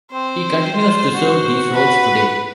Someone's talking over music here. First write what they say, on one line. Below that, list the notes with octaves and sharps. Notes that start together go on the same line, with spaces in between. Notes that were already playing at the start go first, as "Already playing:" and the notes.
He continues to serve these roles today.
C4 C5
F4
F#4
B4